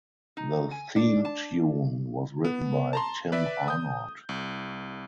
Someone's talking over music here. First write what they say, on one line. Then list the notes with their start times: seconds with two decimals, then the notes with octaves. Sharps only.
The theme tune was written by Tim Arnold.
0.37 D#4
0.71 G#5
0.96 D4
1.25 A5
2.45 B3
2.93 A5 A#5 C6
3.32 B4 D5 E5
3.68 D#6 G6
4.29 C2